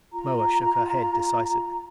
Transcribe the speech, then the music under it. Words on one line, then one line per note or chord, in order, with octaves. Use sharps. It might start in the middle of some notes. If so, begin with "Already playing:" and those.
Moa shook her head decisively.
F4 A#5